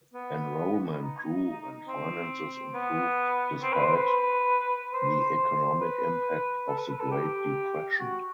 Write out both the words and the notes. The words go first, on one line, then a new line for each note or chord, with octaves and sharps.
Enrollment grew and finances improved despite the economic impact of the Great Depression.
B3
D#4
C4
B3
C4
B4
C5
B4
C5
B4
A4
B4
B4
A4
G4
F#4